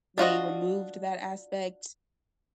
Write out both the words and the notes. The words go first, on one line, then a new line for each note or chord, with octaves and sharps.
they removed that aspect
D4 F4 F#4 D#5